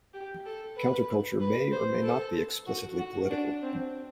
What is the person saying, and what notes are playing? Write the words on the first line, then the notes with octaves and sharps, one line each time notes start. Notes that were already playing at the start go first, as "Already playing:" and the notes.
Counterculture may or may not be explicitly political.
G4
A4
B4
B4
C5
A4
F#4
F#4
D4
C4